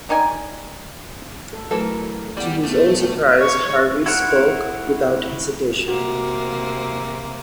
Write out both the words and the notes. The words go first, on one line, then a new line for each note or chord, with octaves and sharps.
To his own surprise Harvey spoke without hesitation.
G3 D#4 D5 G#5
A4
E3 F#3 A3 A4 A#4
E2 G3 D5 F#5
B1 A3
C#5
E4 F#4 A#4 C5 F#5
C3 A#3 F#4